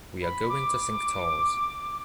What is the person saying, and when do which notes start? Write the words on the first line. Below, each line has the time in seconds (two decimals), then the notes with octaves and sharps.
We are going to Cinctorres.
0.23 B5
0.49 D6